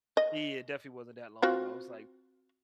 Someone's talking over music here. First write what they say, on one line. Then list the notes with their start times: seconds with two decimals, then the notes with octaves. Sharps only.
Yeah, it definitely wasn't that long ago, it was like
0.17 D#5
1.42 C4 F4 F#4